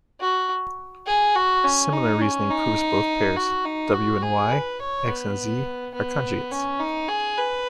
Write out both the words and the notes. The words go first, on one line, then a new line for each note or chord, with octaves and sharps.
Similar reasoning proves both pairs, W and Y, X and Z, are conjugates.
F#4
G#4
F#4
C#4
D#4
C#4
D#4
F#4
D#4
F#4
G#4
B4
C#5
B3
B3
C#4
D#4
G#4
B4